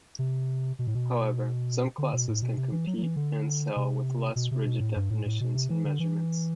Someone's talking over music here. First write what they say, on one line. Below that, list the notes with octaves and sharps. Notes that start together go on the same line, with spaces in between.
However, some classes can compete and sail with less rigid definitions and measurements.
C3
B2
A2
B2
D3
B2
A2
B2
C3
E3
F#3
F#3
E3
D3
C3
B2
C3
B2
A2
G2
A2
A2
B2
C3
E3
D3
E3